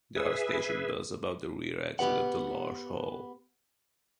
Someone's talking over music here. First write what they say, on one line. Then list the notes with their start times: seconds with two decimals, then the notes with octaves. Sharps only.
There are station bells above the rear exit of the large hall.
0.16 G#4 B4 E5
1.99 B3 G4 B4 F#5